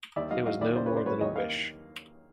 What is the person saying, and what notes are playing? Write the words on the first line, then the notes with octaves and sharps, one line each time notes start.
It was no more than a wish.
D#2 D5 E5
F#3 D#5 F5
F#3 D#5 F5
D#2 D5 E5
C#3 C5 D5
B4 C#5
C#3
C5 D5
F#3 B4 C#5
D#2 C#5 D#5
A#3 D#5 F5